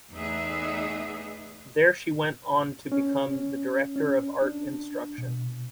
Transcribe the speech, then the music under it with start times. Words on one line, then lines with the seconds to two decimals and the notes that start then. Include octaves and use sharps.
There she went on to become the director of art instruction.
0.13 E2 A3 B3 D#4 G#4 E5
2.92 C#4
3.96 C#4
4.42 D4
5.18 B2